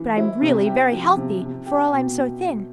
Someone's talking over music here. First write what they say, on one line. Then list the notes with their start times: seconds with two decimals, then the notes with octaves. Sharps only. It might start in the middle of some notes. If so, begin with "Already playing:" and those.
But I'm really very healthy for all I'm so thin.
Already playing: E3
0.17 E4
0.41 C3
0.66 G4
0.92 F3
1.16 C3
1.41 C3
1.66 G4
1.91 B2